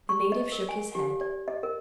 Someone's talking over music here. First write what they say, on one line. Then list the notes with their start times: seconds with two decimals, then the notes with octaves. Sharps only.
The native shook his head.
0.09 C#6
0.32 D#5
0.52 A#4
0.69 G#5
0.95 G4
1.21 D5
1.48 D#5
1.63 A#4